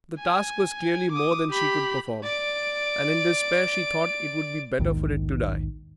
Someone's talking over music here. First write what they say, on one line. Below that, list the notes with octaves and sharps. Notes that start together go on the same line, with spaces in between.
The task was clearly more than she could perform, and in despair she thought it would be better for it to die.
G#5
D6 D#6
G4 B5
D5 D7
A#1 D#2 G#2 D#3